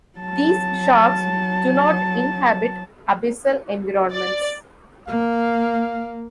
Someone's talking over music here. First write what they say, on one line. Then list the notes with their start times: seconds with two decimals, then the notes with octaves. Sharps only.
These sharks do not inhabit abyssal environments.
0.18 F#3 A5
4.12 D5
5.08 A#3 F5